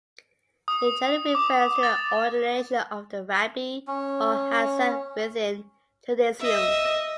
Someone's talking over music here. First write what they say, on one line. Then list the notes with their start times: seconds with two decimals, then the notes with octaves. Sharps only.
It generally refers to the ordination of a rabbi or hazzan within Judaism.
0.68 D#6
1.35 D6
1.83 A6
3.88 C#4
6.41 D#5 E5